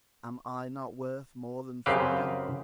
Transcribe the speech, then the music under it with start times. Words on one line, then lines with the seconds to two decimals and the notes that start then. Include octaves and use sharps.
Am I not worth more than freedom?
1.86 F#2 C#3 C4 G4 B4 F5